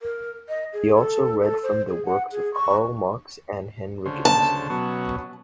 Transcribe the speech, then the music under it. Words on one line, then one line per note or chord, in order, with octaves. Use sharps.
He also read from the works of Karl Marx and Henrik Ibsen.
A#4
D#5
G#4
A4
A4
C5
G#4
F#5
G#4
C#6
D2 C#3 C5
A5
B2 F#3 C#4